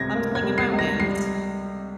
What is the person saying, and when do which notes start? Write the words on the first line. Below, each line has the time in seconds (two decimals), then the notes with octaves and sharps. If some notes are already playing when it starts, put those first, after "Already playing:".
I'm taking my wins.
Already playing: C#2 C3 G3 G#6 A#6
0.15 A#3
0.35 G#6
0.42 G3
0.58 C7
0.71 C#2
0.79 A#6
1.00 G3 C7